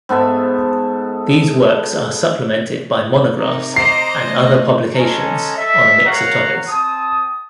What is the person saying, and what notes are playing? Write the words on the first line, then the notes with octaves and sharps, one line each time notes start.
These works are supplemented by monographs and other publications on a mix of topics.
G#2 B3 A4 E5
C3 A#3 D#4
C5 D#5 A#5 D6 C7
A3
G#3 C#4 A4 G#5 A#5
A4 D#5 E5
A#4 C#5 F5 F#5 A#5
C4 A5 D#6